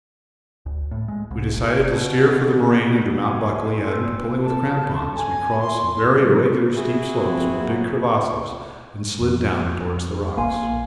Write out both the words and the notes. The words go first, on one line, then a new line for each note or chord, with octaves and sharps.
We decided to steer for the moraine under Mt. Buckley and, pulling with crampons, we crossed some very irregular steep slopes with big crevasses and slid down towards the rocks.
D2
A2
G#3
C2
F#1
B2
G#5
C4
A4
G#5
C6
F#3
E4 F#4 G#4
E2 F3 C4
G2 F#3 A#3
F2
A#1 A#3 F5 G#5 C6